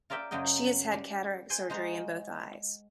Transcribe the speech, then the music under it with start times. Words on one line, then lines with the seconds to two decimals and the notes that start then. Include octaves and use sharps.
She has had cataract surgery in both eyes.
0.10 F4 A#4 D5 E5 G5
0.31 F#2 C#3 F#3 D#5 G5
0.92 G3
1.50 G5 G#5 C6
1.70 G#3 F#4 C5 A#5